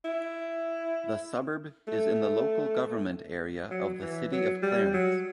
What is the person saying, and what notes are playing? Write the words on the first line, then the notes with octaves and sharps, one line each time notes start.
The suburb is in the local government area of the City of Clarence.
E4
A3
F#3
E3
F#3
G3
F#3